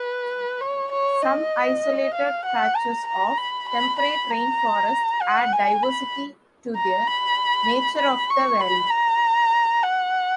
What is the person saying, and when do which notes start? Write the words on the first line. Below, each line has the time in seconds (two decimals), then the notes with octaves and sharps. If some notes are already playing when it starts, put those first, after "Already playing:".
Some isolated patches of temperate rainforest add diversity to the nature of the valley.
Already playing: B4
0.61 C#5
0.92 C#5
1.22 D#5
2.15 F5
2.46 F#5
2.76 A#5
3.08 A#5
3.38 B5
3.69 B5
4.00 B5
4.31 A#5
5.22 F#5
5.53 G#5
5.83 B5
6.77 A#5
7.07 B5
7.99 B5
8.30 C#6
8.61 B5
8.91 A#5
9.84 F#5